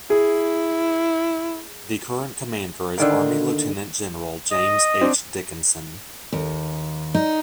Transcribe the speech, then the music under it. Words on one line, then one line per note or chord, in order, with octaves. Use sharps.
The current commander is Army Lieutenant General James H. Dickinson.
E4 G#4
D3 D#3 A#3
D#5
C4 D4
D#2
D#4